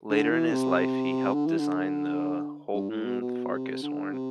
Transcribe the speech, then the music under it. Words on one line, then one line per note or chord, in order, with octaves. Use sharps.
Later in his life he helped design the Holton Farkas horn.
D3
E3
C3
D3
E3
D3
G2
A2
B2
B2
C3
D3
C3